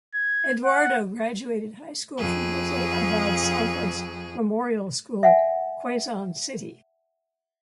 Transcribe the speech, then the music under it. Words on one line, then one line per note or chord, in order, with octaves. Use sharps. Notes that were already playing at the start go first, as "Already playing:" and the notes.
Eduardo graduated high school from Jose Abad Santos Memorial School, Quezon City.
G#6
F#5
F2 G#4
E5 F#5 G#5